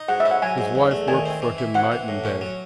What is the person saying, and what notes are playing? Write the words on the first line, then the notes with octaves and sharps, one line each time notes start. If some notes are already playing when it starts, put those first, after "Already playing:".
His wife worked for him night and day.
Already playing: D#4
G#2 F#5
E5
C#4
F#5
F#3 G#5
G#2
E2
A3
D#3 G#5
C4
E3
E4
C4 F#5
E3
A2
C#4
F#3